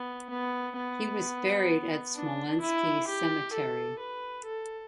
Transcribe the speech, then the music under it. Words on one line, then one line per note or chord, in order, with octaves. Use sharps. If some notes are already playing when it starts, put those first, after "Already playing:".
He was buried at the Smolensky Cemetery.
Already playing: B3
B3
B3
D4
E4
G4
A4
B4
A4